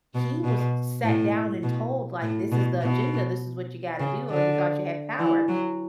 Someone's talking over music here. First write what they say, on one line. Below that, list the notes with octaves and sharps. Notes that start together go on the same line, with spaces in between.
he was sat down and told, like, this is the agenda. This is what you gotta do. Oh, you thought you had power.
B2
B2
A2
B2
A2
B2
B2
C#3
D3
E3
F#3